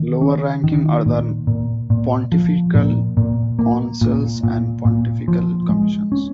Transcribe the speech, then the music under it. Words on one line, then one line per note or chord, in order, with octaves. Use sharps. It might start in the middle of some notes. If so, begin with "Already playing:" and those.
Lower-ranking are the pontifical councils and pontifical commissions.
Already playing: D#3
C#4
D#3
A#2
A#2
A#2
F3
A#2
A#2
A#3
A#2
A#2
A#2
F3
G#3
C#4